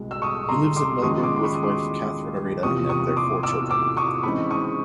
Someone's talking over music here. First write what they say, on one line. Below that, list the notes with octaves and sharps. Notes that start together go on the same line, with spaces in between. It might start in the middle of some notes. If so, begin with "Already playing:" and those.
He lives in Melbourne with wife Catherine Arena and their four children.
Already playing: C2 B2 G#3
E6
C#6 D#6
A#5 C6
C6 D6
D#2 C#3 F3 G#3 C#6 D#6
C6 D6
C6
B5 C#6
D#6
C6 D6
E2 C3 F3 A#3 C#6 D#6
C#6 D#6
C6 D6
D6 E6
D6 E6
C#6 D#6
C#3 E3 G#3 C4 D#4 B5 C#6
C#6 D#6